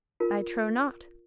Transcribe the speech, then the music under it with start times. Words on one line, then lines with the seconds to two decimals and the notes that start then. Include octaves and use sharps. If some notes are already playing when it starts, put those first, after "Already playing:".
I trow not.
0.20 F4 A#4